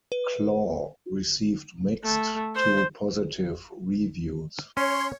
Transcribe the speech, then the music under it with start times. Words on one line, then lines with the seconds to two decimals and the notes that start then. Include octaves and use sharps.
"Claw" received mixed-to-positive reviews.
0.12 B4
2.03 A3
2.55 C5
4.77 C#4 C#5 C6